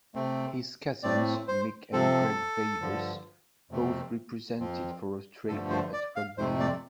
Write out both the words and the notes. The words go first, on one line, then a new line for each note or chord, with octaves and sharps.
His cousins, Mick and Greg Veivers, both represented for Australia at rugby league.
C3 A3 C4
A2 A3 C4 D5
C5
C3 F3 C4 A4
G2 D3 F3
F2 C3 A3 C4
F2 F3 C4
G2 D3 F3 A3 A4
C5
D5
F5
F2 C3 A3 C4 C5
D5